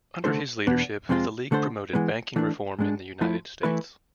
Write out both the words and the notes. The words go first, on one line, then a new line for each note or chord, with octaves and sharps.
Under his leadership the league promoted banking reform in the United States.
D3 A3 D4 A4 C5
E2 B2 B3 D4
F2 C3 G#3 C4 F4
D3 A3 D4 A4 C5
E3 G#3 B3
E3 A3 D4
G#2 G#3 D4
F3 A3 E4
E3 A3 E4 B4